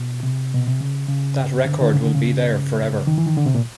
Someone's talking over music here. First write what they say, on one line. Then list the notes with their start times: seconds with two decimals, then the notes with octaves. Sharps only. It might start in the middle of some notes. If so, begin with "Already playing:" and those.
That record will be there for ever.
Already playing: B2
0.23 C3
0.55 B2
0.67 C3
0.81 C#3
1.08 C#3
1.65 D3
1.81 D3
1.94 C#3
2.04 D3
2.15 C#3
3.07 D#3
3.18 E3
3.27 D#3
3.37 D3
3.46 C3
3.55 A#2